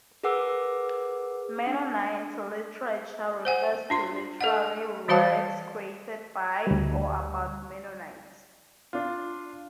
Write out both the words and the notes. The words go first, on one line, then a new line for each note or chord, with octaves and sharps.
Mennonite literature refers to literary works created by or about Mennonites.
G#4 A#4 B4 F#5 D6 E6
D4
C5 F#5 G#5
D4 F4 C6
A4 D#5 F#5
E3 G3 F#4 C5 F5 A5
D2 G3
D4 F4